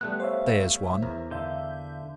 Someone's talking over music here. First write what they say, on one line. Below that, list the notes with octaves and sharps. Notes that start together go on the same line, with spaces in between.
There's one!
G3 A3 B3 F#6
C5 C#5 E5 F5
E2 A#4
D3 E5 F5 G6